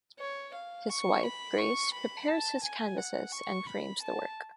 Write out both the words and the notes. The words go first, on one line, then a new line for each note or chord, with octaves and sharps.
His wife Grace prepares his canvases and frames the work.
C#5
F5
C#6
B5
C#6
B5
A5
G#5
F#5
C#6
B5
A5